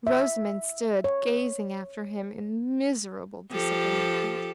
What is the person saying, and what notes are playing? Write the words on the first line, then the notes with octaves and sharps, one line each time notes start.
Rosamond stood gazing after him in miserable disappointment.
E5
C#5
F3 G4 A4